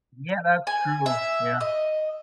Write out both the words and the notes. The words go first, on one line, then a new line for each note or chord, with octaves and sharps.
Yeah, that's true. Yeah.
G#5
E5
D#5